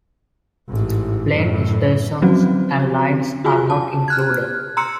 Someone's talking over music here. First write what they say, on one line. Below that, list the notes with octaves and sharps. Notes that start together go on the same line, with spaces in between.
Planned stations and lines are not included.
A1 G#2
F#2 A2
F3 F#3 C4 C#4 F#4
F4 F#4 G#4 G#5
A5
F6 F#6 G#6
A#5 C6 E6 C#7